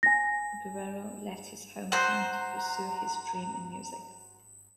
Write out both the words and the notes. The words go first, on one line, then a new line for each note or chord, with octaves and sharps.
Guerrero left his hometown to pursue his dream in music.
G#5 A#6
F#4 C5 A#5